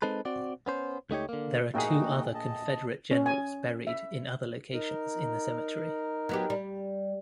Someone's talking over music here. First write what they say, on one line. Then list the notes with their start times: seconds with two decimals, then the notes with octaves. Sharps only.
There are two other Confederate generals buried in other locations in the cemetery.
0.02 G#3 C4 D#4 A4 B4
0.25 C4 F#4 D5
0.66 B3 C#4 C5
1.10 C#2 A3 D#4 G4 C#5
1.29 D3 A#3
1.74 A#1 A3 A#3 D#4 F#4 G#4 G5
2.34 D#5 A5
3.11 C#4
3.26 G#5
3.87 E5
4.73 D#4 A#4
6.29 F#3 B3 G4
6.50 G3